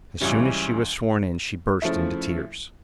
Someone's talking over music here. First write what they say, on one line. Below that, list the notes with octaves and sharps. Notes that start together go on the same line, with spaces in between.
As soon as she was sworn in she burst into tears.
C#2 C#3 E3 G3 C#4
C#3 F3 A3 E4